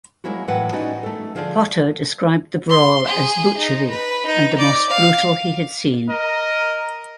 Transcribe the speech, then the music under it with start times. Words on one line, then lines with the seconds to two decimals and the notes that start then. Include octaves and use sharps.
Potter described the brawl as "butchery" and the most brutal he had seen.
0.24 F#3 G#3 A#3 E4 F#4
0.48 A2 E3 F#3 B4 F#5 G5
0.72 C#4 D#4 E4 F#4 D5 D#5
1.03 A3 A4
1.35 D3 F3 F4 G#4 C#5 D5
2.69 C6
3.07 G#4
3.57 D#4
3.90 B4
4.26 D#4
4.59 D5
4.90 F5
6.10 A#4 D#5